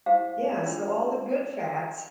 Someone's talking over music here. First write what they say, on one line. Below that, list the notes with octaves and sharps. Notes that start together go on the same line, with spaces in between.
Yeah. So, all the good fats
E4 G4 C5 F5
D4 F4 A#4